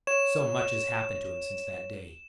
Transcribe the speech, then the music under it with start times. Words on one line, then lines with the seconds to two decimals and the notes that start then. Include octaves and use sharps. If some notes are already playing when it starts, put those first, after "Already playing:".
So much has happened to him since that day.
0.07 C#5 E7